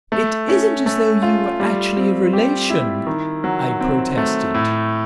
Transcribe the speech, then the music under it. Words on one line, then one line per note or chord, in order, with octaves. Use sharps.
"It isn't as though you were actually a relation," I protested.
A3
C#4
A3
F4
G3
C4
G4
E4
D#3
F#3
C4
A3
A2